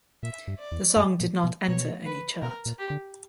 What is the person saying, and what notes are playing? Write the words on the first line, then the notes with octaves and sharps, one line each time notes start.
The song did not enter any chart.
A#2 E5
G2
D5
E2
F#2
A#2
B2
B2 C#5
B4
B2 A#4
A#2
G4
D3